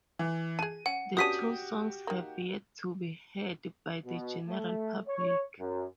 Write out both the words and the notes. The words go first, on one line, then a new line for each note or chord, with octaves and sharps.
The two songs have yet to be heard by the general public.
E3
G#4 A5 D#7
C#4 F#5
B3 C#4 D4 F#4 G4 D#6 B6 D#7
D#3 A#3
B2
A3
C#5
F#2